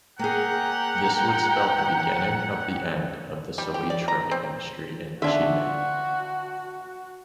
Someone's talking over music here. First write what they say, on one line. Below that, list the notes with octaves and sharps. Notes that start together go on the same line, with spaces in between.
This would spell the beginning of the end of the salitre industry in Chile.
A#3 C#4 G#4 F#5 G5 A#5
G3
G4
D5
A#5
C4
D3 E3 D4 F4 F#4 E5